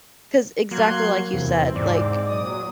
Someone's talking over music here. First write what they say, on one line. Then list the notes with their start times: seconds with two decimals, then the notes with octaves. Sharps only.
‘cause exactly like you said, like,
0.71 F#3 A#3 C6 F#6 G#6
1.33 E2 C3 C4
1.76 G#2 D5
2.27 A#2 F#3 D#6